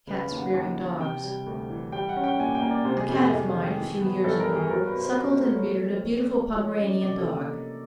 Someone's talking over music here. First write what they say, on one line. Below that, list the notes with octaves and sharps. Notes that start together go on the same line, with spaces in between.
CATS REARING DOGS.--A cat of mine, a few years ago, suckled and reared a beautiful Pomeranian dog.
C#3 B4
F5
D#2
F#5
D#2
E3
C3 G5
G3
D2
E3
G3 G5
F#5
C#4
G5
A#2 G#5
G5
A#3
D5
C3 C5
G#4
F2 G4
G#4
F2
D#3
E3
B3
G2 A4
A#4
G3
G#4
F#3 A#4
B4
B2
C5
B2
C5
A3
C#5
F3
C4
A#2
A3
F3 C#5
D#5
C#4
D5
C3 D5
A4
A#3